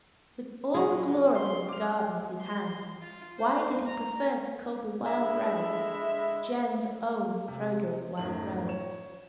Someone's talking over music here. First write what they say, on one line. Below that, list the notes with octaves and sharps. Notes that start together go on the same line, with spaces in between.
With all the glories of the garden at his hand, why did he prefer to cull the wild-rose,--Jem's own fragrant wild-rose?
C#3 F#3 C#4 G#4
C6
F5 D6 F7
C6
F4
C5
A#5
D3 G#3 E4 E5
C3
F#2 A2 D#3 F#7
C#5 E7